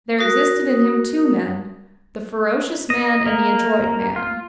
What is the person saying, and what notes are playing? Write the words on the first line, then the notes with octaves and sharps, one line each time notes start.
There existed in him two men, the ferocious man and the adroit man.
F#4 A#4 D#6
D#5
A#3
F4